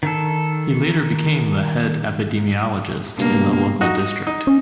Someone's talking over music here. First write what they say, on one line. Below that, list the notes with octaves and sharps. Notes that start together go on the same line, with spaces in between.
He later became the head epidemiologist in the local district.
D#3 A4
C#2 G2 B2 A#3
D#4 F#4
D#4
C#4